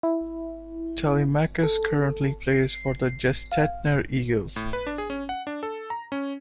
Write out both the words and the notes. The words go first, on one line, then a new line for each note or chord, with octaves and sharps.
Telemachus currently plays for the Gestetner Eagles.
E4
A4
C7
F5
A2
B4
D4
G#4
C#4
F#5
D4
A4
A#5
C#4